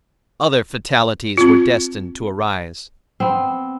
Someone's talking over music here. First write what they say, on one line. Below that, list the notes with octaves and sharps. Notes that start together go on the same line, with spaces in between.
Other fatalities were destined to arise.
C4 F4
B3 C4